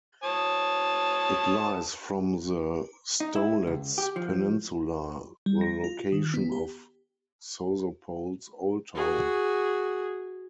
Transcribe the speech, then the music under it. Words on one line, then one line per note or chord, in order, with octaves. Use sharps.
It lies from the Stolets peninsula, the location of Sozopol's Old Town.
C#5 A5 D#6
D#4
E4
C#2
G4
F3
G3
A#6
F4
D#3
B3
G4
F#4 G#4